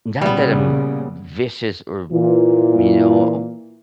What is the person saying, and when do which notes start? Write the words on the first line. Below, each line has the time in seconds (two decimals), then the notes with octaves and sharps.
not that I'm vicious or, you know,
0.21 A#2 C#3 G3 B3
2.12 A#2 E3 F4